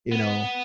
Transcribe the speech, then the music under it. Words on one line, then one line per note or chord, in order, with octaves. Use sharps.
you know
B3